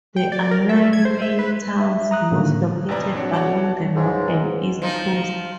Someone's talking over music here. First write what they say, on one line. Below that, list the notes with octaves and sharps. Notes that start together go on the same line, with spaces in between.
There are nine main towns, most located along the north and east coasts.
G5
D5
A#4
E5
G#6
C5
E5
B4
E5
A#5 D#6 F#6
A2 D3 D#3 G3 A#3
A1 F2 C3 B4 D5 A#5
C4 D4 F#4 C#5
F#4 C#5 D5 F#5 A5 D6
C#2 G#2
F3 D#4